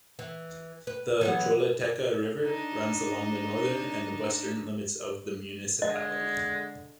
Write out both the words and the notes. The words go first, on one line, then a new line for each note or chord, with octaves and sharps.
The Choluteca River runs along the northern and western limits of the municipality.
E3
B4
E3 F#3 B3
D4 D#4
D3 G#3 D#5